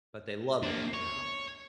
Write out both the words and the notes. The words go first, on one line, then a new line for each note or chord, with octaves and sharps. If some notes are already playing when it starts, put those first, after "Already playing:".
But they love it now,
A#3 D4
C#5